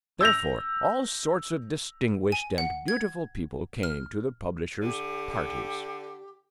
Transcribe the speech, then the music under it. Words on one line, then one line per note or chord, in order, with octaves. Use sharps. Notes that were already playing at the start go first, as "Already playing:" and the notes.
Therefore, all sorts of distinguished and beautiful people came to the publisher's "parties."
E6 G6 A#6 F7
G#5
F#5
G#6
F6
D3 G4